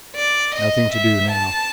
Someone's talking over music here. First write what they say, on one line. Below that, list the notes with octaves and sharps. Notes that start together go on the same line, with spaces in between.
Nothing to do, now.
D5
D#5
E5
A5